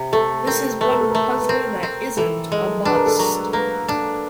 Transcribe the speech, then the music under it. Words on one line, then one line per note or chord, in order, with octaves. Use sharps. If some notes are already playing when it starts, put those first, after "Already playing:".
This is one puzzler that isn't a bust.
Already playing: C3
A3 A4
C4 A#4
A3 B4
A#4
A4
A3 A#4
B4
C4 A#4
C4
E3 A4
G#3
D4 B4
A#4
A4
F#3 A#4
A#3 B4
D4